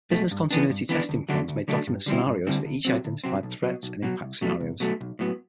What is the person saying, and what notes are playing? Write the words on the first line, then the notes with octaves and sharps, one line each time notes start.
Business continuity testing plans may document scenarios for each identified threats and impact scenarios.
B2 A3
G2
E3 B3 D4
G2
E3 B3 D4
D2
D3 F#3 A3 D4
D2
D3 F#3 A3 D4
G2
D3 G3 C4 E4
G2
D3 G3 C4 E4
D2
C3 F#3 C4
D2
C3 F#3 C4
B1
B2 F#3
B1
B2 F#3
C2
B2 F#3 A3
C2
B2 F#3 A3
B1
A2 F#3 B3